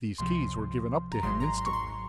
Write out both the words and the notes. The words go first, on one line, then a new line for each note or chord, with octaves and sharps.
These keys were given up to him instantly.
C#2 C3 F3 C6
A#5
G#1 G#2 F#3 C6
A#5
C6
C#6
C6